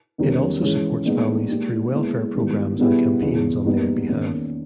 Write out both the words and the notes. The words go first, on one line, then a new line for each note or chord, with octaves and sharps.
It also supports families through welfare programmes and campaigns on their behalf.
E2 D#3 G3 C#4
G#2 E3 G#3 C#4
A#2 G#3 B3 D#4
A#2 G#3 D#4 G4
A#2 G#3 B3 E4 G#4
G#2 D#3 G3 B3 E4
B2 G3 B3 E4 G#4
E2 C#3 E3
A#2 G3 B3 D#4
E2 D#3 A#3 C#4